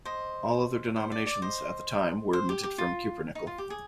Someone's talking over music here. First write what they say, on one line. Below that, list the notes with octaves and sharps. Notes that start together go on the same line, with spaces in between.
All other denominations, at the time, were minted from cupronickel.
C5 D#5
C5
D5
D5
C5 D#5
C5
G4
G4
F4
D#4
F4
G4
G#4